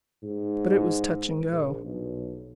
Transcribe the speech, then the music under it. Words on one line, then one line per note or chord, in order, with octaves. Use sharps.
But it was touch and go!
G#2
A#1
B1